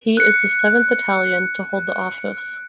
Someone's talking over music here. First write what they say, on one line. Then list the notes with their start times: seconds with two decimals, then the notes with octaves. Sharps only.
He is the seventh Italian to hold the office.
0.17 F#6 C#7